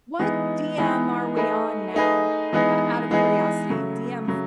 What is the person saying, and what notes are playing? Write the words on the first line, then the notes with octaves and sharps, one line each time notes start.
What DM are we on now? Uh, out of curiosity, DM f
E3 G#3 B3 D#4 G#4
E3 G#3 B3 D#4 G#4
A3 D#4 G#4 B4
A3 D#4 G#4 B4
E3 G#3 B3 D#4 G#4
E3 G#3 B3 D#4 G#4
C#3 F#3 A3
C#3 F#3 A3